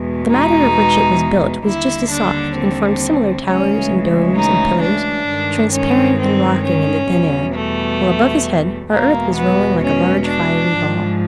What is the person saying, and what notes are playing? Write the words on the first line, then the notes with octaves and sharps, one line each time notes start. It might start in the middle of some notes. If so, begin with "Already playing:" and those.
The matter of which it was built was just as soft, and formed similar towers, and domes, and pillars, transparent and rocking in the thin air; while above his head our earth was rolling like a large fiery ball.
Already playing: E2 B2 G#3
D#4
D#2 D3 G3 E4
D4
C4
D2 C#3 E3 G#3 C#4
D#4
D4
G2 D#3 G#3
C#4
C4
C#4
E2 B2 G3
A3
E2 B2 G#3 A#3
B3
C#4
D4
G#2 F3 G#3